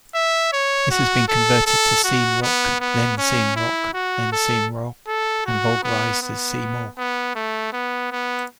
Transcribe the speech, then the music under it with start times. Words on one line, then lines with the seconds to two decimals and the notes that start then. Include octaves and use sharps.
This has been converted to saeem-rokh, then seem-rokh, seem-rogh and vulgarised as see-morgh.
0.14 E5
0.53 C#5
0.91 F#4
1.28 A4
1.66 A4
2.04 F#4
2.42 B3
2.80 B3
3.18 C#4
3.56 E4
3.94 F#4
4.32 A4
5.07 A4
5.46 F#4
5.83 B3
6.22 B3
6.97 B3
7.35 A3
7.73 B3
8.11 B3